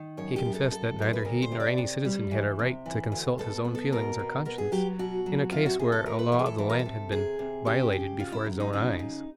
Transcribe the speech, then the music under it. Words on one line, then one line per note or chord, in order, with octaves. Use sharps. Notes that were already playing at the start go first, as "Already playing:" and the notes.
He confessed that neither he nor any citizen had a right to consult his own feelings or conscience in a case where a law of the land had been violated before his own eyes.
Already playing: D#3
F#2 C#5
G4
F#2
A4
F#2 A4
F#2 C5
B4
D2 A#4
C5
C3
D5
C3
G3
E3
C3
E3
D2
B2 A4
B3
A4
B2 A#4
B2
B3 A#4
G#4
F#3 G4
B2 F#4
F#3
C3 F4
F#4
C3 G#4
A4
A3 A#4
B4
E3 B4
G#4
A4
E3 A4
A#4
A4
C3
C3 G#4
C3
C#3 G4
C#3
C#3 F4
E4
F#3
D#4
C#3 D#4
C#3